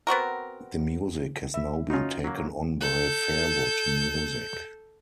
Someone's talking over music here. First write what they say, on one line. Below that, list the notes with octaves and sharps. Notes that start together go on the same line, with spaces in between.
The music has now been taken on by Fairwood Music.
B3 C4 F#4 A#4
E5
C#4 D#4 F4 F#4
F#3 A#3
A4 G6